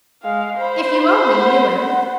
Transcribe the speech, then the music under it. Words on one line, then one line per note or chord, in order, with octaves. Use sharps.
If you only knew him!
G#3 F5
C5 B5
F#5